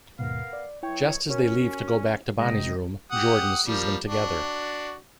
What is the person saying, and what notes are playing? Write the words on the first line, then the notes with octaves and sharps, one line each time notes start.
Just as they leave to go back to Bonnie's room, Jordan sees them together.
D#2 G#2 B2 B3 A#4 F5
D5
E3 F#3 E4 C#5 G5
C#4 F#4 A#4 C#5
C3 G#3 C4 D#4 D#5
G4 F#5 D#6
F3 G3 A#3
D4 F#4